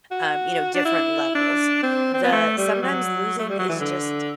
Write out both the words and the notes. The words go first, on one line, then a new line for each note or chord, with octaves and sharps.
uh, you know, different levels. The sometimes losing is just
F#4
D4
E4
D4
C4
C4
B3
A3
G3
F#3
A3
G3
F#3
E3
D3